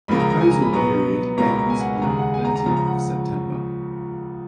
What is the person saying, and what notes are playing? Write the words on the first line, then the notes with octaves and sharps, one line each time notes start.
Proposal period ends on the thirtieth of September.
C#2 C#3 F3 A#3 B5
A#5
A#5
G#5
A#5
B5
B2 F#3 B3 A#5
C#2 B2 A#3 C#4 A#5
B5
A#5
G#5
F#5
D#2 C#3 G#3 A#5
G#5
F#5
G#5
A#5
A#5
C#2 C#3 F3 A#5
A#5
F#5